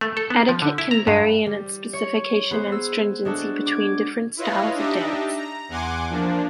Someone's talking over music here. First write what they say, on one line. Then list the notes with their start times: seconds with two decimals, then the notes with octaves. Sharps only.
Etiquette can vary in its specification and stringency between different styles of dance.
0.01 A3
0.17 A4
0.30 B3
0.49 F3
0.62 D3
0.78 E4
0.91 A#5
1.07 G2
1.46 G3
1.93 C#5
2.51 B3 G#4 C5
2.72 E6
3.25 G#3 D4 F#4 A4
3.66 D6 G#6
4.37 E4 F4 B4 C#5 D#5 F5
4.74 D4 D#4 G4 D#5 E5
5.36 A#5
5.69 E2 F#5 G#5 C6 D6
6.09 F3 A#3 D4